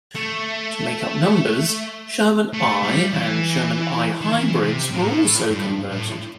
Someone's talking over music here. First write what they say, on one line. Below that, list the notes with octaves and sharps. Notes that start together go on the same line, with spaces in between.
To make up numbers, Sherman I and Sherman I Hybrids were also converted.
A3
A3
G3
E3
D#3
E3
C3
A2
G2
A2